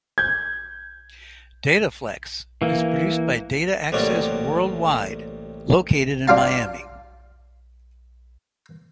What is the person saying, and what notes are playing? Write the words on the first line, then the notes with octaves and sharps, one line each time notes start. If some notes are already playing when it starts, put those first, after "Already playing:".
DataFlex is produced by Data Access Worldwide located in Miami.
G6 G#6
E3 A#3
A1 C3 F#3 G3 A#3 D5
D4 F4 F5 A5